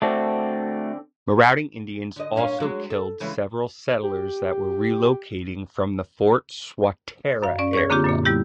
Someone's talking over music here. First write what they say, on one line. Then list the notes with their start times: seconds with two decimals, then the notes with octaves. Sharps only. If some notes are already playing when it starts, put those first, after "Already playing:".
Marauding Indians also killed several settlers that were relocating from the Fort Swatara area.
0.02 D3 A3 C4 D4 F#4
2.16 D3 D#5
2.36 A#2 C#4 F5
2.60 F#3 G#3
2.90 A4
3.20 C#3 E3 G#3
4.03 G4
7.42 F#2 F5
7.59 C#4 D5
7.73 G#4 C#5 C#6
7.90 D3 A#3 C4 D4 F4 G4
8.04 F#2 A#2 A#3
8.25 G3 B3 E4 G4